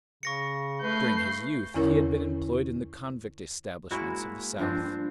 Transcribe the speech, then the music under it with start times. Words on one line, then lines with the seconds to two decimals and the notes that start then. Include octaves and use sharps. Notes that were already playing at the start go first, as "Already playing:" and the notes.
During his youth he had been employed in the convict establishments of the South.
0.23 C#3 C#6 A#6 C#7
0.83 A3 B4 G6 C7
1.74 E2 D3 C#4 E4 A#4 C#5
3.91 G#3 A#3 E4 F#4
4.58 G2 F3 C4 D4